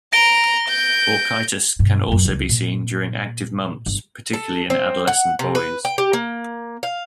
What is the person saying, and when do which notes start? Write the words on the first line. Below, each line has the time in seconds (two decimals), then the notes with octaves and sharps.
Orchitis can also be seen during active mumps, particularly in adolescent boys.
0.13 A#5 A#6 D7 G7
0.69 G6
1.79 G2 B2
2.08 A#1 F#2
2.25 C#2 F3
2.49 A#2
3.86 G1
4.34 A4
4.70 C4
5.07 F#5
5.39 C3
5.55 B4
5.85 G5
5.98 G4
6.13 A#3
6.83 F5